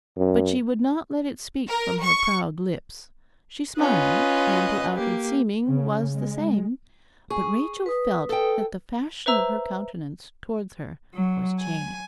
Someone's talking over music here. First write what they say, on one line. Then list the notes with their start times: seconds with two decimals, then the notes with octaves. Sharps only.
But she would not let it speak from her proud lips. She smiled, and to outward seeming, was the same; but Rachel felt that the fashion of her countenance towards her was changed.
0.17 F#2
1.69 A#4
2.04 C#6
3.80 C#4 F4 B4 D#5
4.96 A#3 G4
5.67 C#3
6.13 G#3
7.30 G#4 C#6
7.86 B4 D#6
8.29 A4 G5
9.26 B4 C5 E5 A#5 E6
11.14 F#3
11.61 G#5